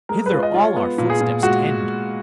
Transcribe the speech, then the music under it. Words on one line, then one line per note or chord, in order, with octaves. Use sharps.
Hither all our footsteps tend.
G#3 A#4
B4
F4
D#5
F4
C#5
B3
A#2
G#4
A#2
G#3 F#4